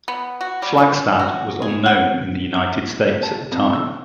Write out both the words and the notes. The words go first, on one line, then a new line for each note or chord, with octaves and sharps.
Flagstad was unknown in the United States at the time.
B3
F#4
G3
C#4
F#4
G#4
F#5
A5
F2
E6